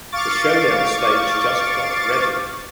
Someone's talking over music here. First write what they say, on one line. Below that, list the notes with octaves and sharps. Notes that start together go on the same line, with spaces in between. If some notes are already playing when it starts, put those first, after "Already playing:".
The showdown stage just got ready!
F5 C#6 D6 A6